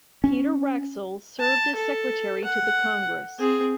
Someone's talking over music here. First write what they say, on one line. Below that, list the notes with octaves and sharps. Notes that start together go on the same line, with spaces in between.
Peter Wraxall served as Secretary to the Congress.
C#4
A5
A4
F#5
C4 G#4